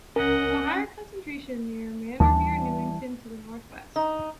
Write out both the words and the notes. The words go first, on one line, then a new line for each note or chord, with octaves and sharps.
There is a higher concentration near Manorbier Newton to the northwest.
C#2 C#4 A#4 D#5 F#5
D#2 E3 G3 D4 A5
D#4